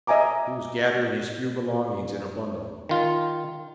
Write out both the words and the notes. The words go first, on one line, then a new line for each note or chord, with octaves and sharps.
He was gathering his few belongings in a bundle.
D#5 E5 G#5 A#5 D6
D#3 F4